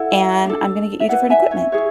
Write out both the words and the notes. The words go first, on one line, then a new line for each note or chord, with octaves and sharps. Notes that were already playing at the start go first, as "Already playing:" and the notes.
and I'm gonna get you different equipment,"
Already playing: E4 A4 F#5
D4 A4
E5
E4 B4 D5 F#5
E5 G#5
C#5 E5
E4 G#4 B4 C#5 E5